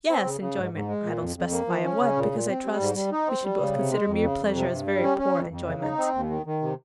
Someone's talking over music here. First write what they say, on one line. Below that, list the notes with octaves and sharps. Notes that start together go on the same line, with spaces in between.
'Yes, enjoyment,--I don't specify of what, because I trust we should both consider mere pleasure as very poor enjoyment.'
C4
C#3
C#3
G#2
G#2
G#3
A#2
F2
F2
A#3
F3
C#4
C#3
A#2
A#2
C4
G3
G#2
G3
D#4
C4
G3
C#3
C3
G#3
F2
C#3
F2
C3
G2
G3
C#4
C#4
F2
F2
C#3
D#4
C4
D#2
D#3
D#3
C3